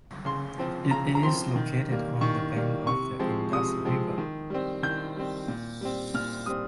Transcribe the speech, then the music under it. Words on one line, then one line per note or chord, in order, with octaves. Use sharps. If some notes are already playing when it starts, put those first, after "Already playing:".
It is located on the bank of the Indus River.
C#3 C6
F3 C4
C#3 A#5
A#5
F3 C4 C6
D#3
G3 A#3
D#3 C#6
G3 A#3
C3 C#6
F3 G#3 C4
C3 D#6
F3 G#3 C4
D#3
G3 C4
D#3 G6
G3 C4
A#2
G3 C4
A#2 F6
G3 C4 D#6